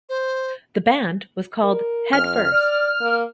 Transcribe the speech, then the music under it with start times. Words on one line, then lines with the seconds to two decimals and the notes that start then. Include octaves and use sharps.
The band was called "Head First".
0.09 C5
1.64 A#4
2.13 F2 F6
2.52 D5
3.01 A#3